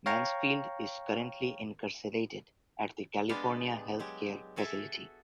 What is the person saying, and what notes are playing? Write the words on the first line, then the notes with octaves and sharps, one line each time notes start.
Mansfield is currently incarcerated at the California Health Care Facility.
C#5 F5 G5 A#5 C#6
G#3 B3 D4 G4 D#5 F5
F#3 G#3 G4
F#4 G#4 A4 E5